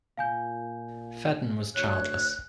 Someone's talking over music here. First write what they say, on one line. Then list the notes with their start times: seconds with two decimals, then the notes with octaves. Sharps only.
Fedden was childless.
0.17 A#2 F5 G#5 G6
1.75 D2 C#5 F#6